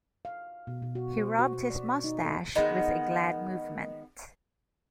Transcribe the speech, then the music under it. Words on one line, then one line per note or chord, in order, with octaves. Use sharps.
He rubbed his moustache with a glad movement.
F5
B2
B2
F#4
C5
F#4
F#4
D5
D#4
A4
D#3 G#3 B3